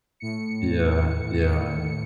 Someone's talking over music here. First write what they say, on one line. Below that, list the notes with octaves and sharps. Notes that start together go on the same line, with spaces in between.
Yeah, yeah, and
A2 C#7